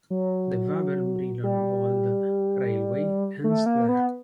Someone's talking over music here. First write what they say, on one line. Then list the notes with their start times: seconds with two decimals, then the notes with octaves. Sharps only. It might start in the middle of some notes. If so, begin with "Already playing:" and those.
The Wabern–Brilon Wald railway ends there.
0.10 F#3
1.43 G3
3.44 A3
3.66 A#3
3.89 B3